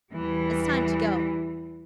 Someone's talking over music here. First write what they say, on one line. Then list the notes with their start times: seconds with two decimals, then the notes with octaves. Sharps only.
It's time to go.
0.10 E2 E3 G3